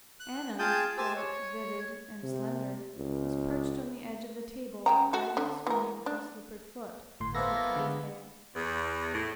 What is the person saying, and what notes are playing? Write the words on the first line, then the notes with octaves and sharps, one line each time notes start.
Anna, dark, vivid, and slender, was perched on the edge of the table, idly swinging her slippered foot at the cat's head.
F#6
F4 G#4 G5 A5 D#6 G6
G4 C5 G#5 A5 E6
C#5
C3
C#2
C#3 G5 A#5
F#4 A4
D3
E3 A#4
D4
G1 A2 C6
A#3 B3 E4 A4 C5 A#6
D3 G#3
E2
A2